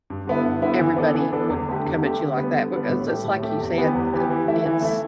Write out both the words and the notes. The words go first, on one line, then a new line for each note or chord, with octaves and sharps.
everybody wouldn't come at you like that, because it's like you said, uh, it's
G2
D3 B3 E4
G2
D3 B3 E4
E3
B3 D4 A4
E3
B3 D4 A4
E2
D3 A3 G4
E2
D3 A3 G4
D3
G3 B3
D3
G3 B3
A2
A3 G4
A2
A3 G4
E2
E3 B3 G4
E2
E3 B3 G4
E3
A3 E4
E3
A3 E4